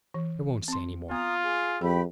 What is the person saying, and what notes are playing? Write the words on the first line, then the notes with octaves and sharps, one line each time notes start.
I won't say any more.
E3
C4 C6
B3 F4 A#5 D#6
G#4
F2 G4 G#4 G5 B5